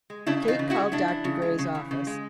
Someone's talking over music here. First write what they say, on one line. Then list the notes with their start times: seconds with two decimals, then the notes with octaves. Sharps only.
Kate called Dr. Gray's office.
0.10 G#3
0.27 C#3 D4 E4
0.43 E3
0.48 D#4 F4
0.59 C#3
0.70 E4 F#4
0.76 G#3
0.92 C#3 D4 E4
1.08 E3
1.25 C#3
1.42 G#3
1.59 C#3
1.75 E3
1.91 C#3
2.07 G#3